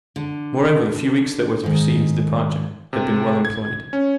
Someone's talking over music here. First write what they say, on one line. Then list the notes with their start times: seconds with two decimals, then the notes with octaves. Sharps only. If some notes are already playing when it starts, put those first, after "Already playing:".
Moreover, the few weeks that were to precede his departure had been well employed.
0.16 D3
1.64 G#2 D#3
2.93 C3
3.45 G#6
3.93 C#4